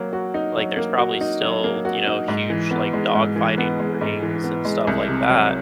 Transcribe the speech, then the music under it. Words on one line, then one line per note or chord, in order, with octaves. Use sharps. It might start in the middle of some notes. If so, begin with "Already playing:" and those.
like, there's probably still, you know, huge, like, dogfighting rings and stuff like that
Already playing: F#3 A#3
F#4
D#4
F#3
A#3
F#4
D#4
F#3
A#3
F#4
D#4
G#2
E3
B3
G#3
G#2
E3
B3
G#3
G#2
E3
B3
G#3
C2
C3
F#3